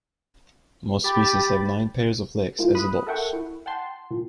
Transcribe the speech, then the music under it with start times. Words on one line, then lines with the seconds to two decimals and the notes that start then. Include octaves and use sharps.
Most species have nine pairs of legs as adults.
1.04 G4 G5 B5 A6
2.59 A#3 E4 F4
2.75 B5 D#6 F#6
3.07 A4 A#4 E5 F#5 G5 C#6
3.33 E4
3.66 F#5 G5 A5 C6
4.11 A#2